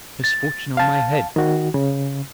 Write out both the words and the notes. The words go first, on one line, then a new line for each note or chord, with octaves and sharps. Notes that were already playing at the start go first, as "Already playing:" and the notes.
Misfortune on my head!
A6
F5 A5
D#3 F#4
C#3